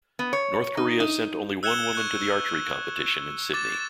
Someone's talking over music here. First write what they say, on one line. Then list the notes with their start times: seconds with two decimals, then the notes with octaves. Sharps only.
North Korea sent only one woman to the archery competition in Sydney.
0.19 B3
0.33 C#5
0.77 D#4
1.00 D#4
1.63 E6 F#6 G#6 C#7 E7 G7
1.93 C#6 F#6 G#6
3.54 D6 A6 E7